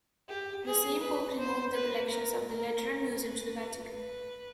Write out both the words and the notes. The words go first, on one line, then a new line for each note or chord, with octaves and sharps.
The same pope removed the collections of the Lateran Museum to the Vatican.
G4
G#4
B4
C5
B4
A#4
A#4
B4
B4